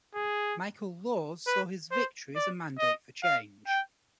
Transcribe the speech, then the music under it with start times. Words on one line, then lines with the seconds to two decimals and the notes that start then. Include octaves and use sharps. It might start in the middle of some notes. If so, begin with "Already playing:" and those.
Michael Laws saw his victory as a mandate for change.
0.15 G#4
1.47 B4
1.91 C5
2.35 D5
2.79 D#5
3.23 F5
3.67 G5